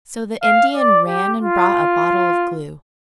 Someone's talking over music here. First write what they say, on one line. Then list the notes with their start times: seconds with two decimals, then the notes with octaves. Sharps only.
So the Indian ran and brought a bottle of glue.
0.43 F5
0.76 D5
1.08 G4
1.39 F4